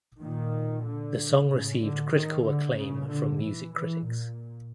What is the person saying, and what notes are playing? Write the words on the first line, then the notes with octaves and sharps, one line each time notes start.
The song received critical acclaim from music critics.
A#2 D#3
D3
A2 C#3
D3
D#3
D3
A#2 C#3
D3
E3
E3
A#2